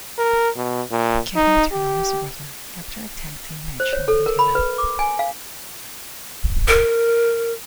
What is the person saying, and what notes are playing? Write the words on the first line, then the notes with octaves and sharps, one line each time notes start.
Kevin turned on his brother after a tag-team match and beat him up.
A#4
B2
A#2
D#4
G4
C5
C#5
A4
A#4
B5
B4
D6
G#5
F5
A#4